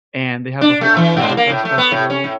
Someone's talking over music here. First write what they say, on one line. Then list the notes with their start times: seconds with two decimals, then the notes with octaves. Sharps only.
and they have the whole Oktoberfest festival
0.61 D4
0.81 A3
0.97 E3
1.17 G#2
1.37 A#3
1.50 A2
1.65 A3
1.78 B3
1.91 A2
2.10 C#4
2.24 A2